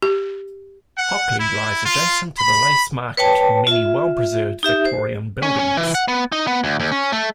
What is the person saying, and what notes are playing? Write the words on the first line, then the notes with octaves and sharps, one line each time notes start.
Hockley lies adjacent to the Lace Market, many well-preserved Victorian buildings.
G4
F#5
E4
F4
B5
B4 C#5 G5 A5
F4 E5
D#4 G4 E5
C5
C#4
C#4
E3
F#5
B3
D#4
B3
D2
D#2
C#4
A3